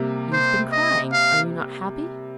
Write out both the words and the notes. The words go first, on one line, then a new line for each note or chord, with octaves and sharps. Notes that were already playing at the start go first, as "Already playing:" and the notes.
'You have been crying--are you not happy?'
Already playing: C3 G3 A#3
C5
D#5
F5